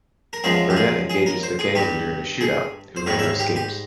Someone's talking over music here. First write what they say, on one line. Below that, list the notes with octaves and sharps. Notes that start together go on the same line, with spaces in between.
Burnett engages the gang leader in a shootout, who later escapes.
A#4
E2 C#3 F3 G#3 G#4
G4
G#4
G#4
A#4
C5
G#4
G2 G3 G4
G#4
C5
G#2 G3 C#5
E5
C#5
G4
G4